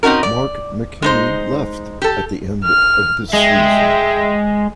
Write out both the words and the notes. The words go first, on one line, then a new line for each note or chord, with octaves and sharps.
Mark McKinney left at the end of this season.
C4 C#4 D#4 F#4 A#4
D5
G#3 D#4 C5
G4 A4
F6
G#3 E5 G5